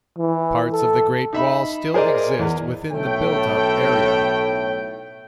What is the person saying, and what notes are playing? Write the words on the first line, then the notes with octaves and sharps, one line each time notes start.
Parts of the Great Wall still exist within the built-up area.
E3
A4
D#4 E5 B5
G#4 A#4 C5 D5 D#5
E2
B1 A2 A3 A4 C#5 G5